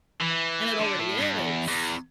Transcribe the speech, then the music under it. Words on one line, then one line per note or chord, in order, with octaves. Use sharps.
And it already is.
E3
D3
A2
G2
E2
E2